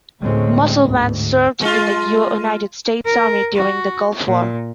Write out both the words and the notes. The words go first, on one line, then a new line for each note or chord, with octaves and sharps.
Musselman served in the United States Army during the Gulf War.
D2 A2 G#3 A3 C4 C#4
D2 G#2
G#3 F4
A#4
F#4
A#2